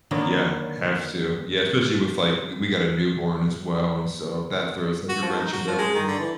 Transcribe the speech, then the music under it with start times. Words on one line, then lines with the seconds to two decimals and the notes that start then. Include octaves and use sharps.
Yeah. Have to. Yeah, especially with, like we we got a newborn as well and, so, that throws like a wrench into everything.
0.11 D3 D#3 F#3 A#3 B3
5.09 F#4
5.22 F3
5.36 D#4
5.52 F#4
5.67 F3
5.79 G#3
5.95 D#3
6.08 D3
6.20 E3